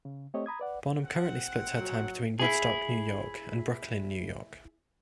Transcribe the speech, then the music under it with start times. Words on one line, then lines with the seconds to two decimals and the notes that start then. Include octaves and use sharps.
Bonham currently splits her time between Woodstock, New York, and Brooklyn, New York.
0.05 C#3
0.34 A3 C4 G4 C#5 D#5
0.46 A#5 B5 D#6 G#6
0.60 B4 D5 F#5
1.05 C4 F#5
1.76 F#3
2.40 E4 G#4